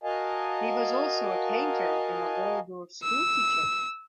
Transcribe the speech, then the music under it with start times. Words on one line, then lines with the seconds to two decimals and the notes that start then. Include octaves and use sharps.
He was also a painter and a Waldorf school teacher.
0.04 F#4 A#4 D#5 F5 G#5 A5
3.03 E6